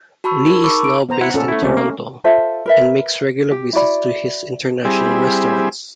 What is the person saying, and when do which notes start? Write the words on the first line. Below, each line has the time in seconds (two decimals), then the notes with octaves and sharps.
Lee is now based in Toronto, and makes regular visits to his international restaurants.
0.24 F#4 A5 B5 C#6 E6
0.50 D#4 G#4 A#4
0.64 C5 A5 B5 C#6 D6 E6
0.84 D7
1.09 B3 C5 A#5
1.21 E4 F#5
1.34 A#2 C#4 A4 C#5
1.48 A3 E4
1.63 C#2 A3 C#4
1.77 A3 A#3
2.24 F4 A4 C5 E5
2.66 A#4 B4 E5
3.51 G4
3.73 E4 F#4 D5 B5
4.85 G3 C4 E4 G#4